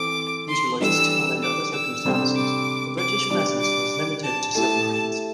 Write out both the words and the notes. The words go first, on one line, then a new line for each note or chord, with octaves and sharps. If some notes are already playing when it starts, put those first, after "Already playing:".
Due to logistical and other circumstances the British presence was limited to submarines.
Already playing: E3 C4 A4 C5 D6
C6
E3 G3 D4 A4 D5 E6
D6
E6
C3 G3 D4 A4 C5
D6
D6
G3 D4 G4
D6
A5
A3 E4 G4 A5